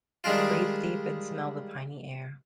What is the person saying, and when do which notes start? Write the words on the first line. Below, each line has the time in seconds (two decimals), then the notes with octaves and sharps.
Breathe deep and smell the piny air.
0.24 D#3 G3 G#3 D4 F4